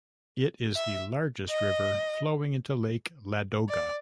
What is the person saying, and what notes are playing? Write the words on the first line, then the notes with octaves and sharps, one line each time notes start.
It is the largest river flowing into Lake Ladoga.
E5
D#5
D5